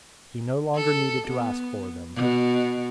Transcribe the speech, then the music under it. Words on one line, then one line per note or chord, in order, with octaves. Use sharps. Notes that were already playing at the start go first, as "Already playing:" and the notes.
He no longer needed to ask for them.
A4
B3
B2